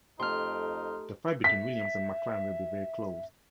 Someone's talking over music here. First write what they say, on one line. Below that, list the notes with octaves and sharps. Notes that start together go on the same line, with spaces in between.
The fight between Williams and McLaren will be very close.
F2 A3 D#4 G4 C6 F6
E5 B6